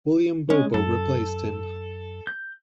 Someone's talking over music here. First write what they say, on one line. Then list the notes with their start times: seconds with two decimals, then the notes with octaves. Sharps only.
William Bobo replaced him.
0.50 G#3 C#4
0.74 F#2 A4
2.27 G6